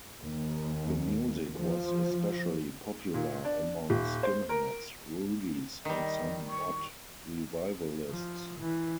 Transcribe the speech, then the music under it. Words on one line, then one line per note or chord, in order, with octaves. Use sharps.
The music was especially popular among skinheads, rudies and some mod revivalists.
D#2
F3
A#2
D4
D#1
C5
A#4
D#3 G3 D#5
C#6
F3
E3